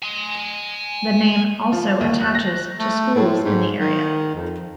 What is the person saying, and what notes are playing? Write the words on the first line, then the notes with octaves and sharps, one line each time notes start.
The name also attaches to schools in the area.
G#5 C6
F3
D#2
F#6
A#6
A3
A2
G#2
D#3
F2